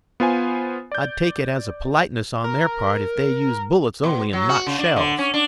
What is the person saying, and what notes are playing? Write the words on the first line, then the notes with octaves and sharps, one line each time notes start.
"I'd take it as a politeness on their part if they used bullets only and not shells."
B3 F4 C5 G#5
D5 G6
A#4
B2
F#3
F#4
C#3
D4
D3
C#4
D4